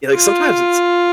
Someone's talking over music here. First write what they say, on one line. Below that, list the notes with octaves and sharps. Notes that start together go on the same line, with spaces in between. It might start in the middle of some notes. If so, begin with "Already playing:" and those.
yeah, like, sometimes it's
F4